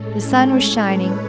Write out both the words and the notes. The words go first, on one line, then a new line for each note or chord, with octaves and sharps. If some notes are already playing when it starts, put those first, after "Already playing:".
The sun was shining.
Already playing: A2 G#3 C#4 A4
C#5
B4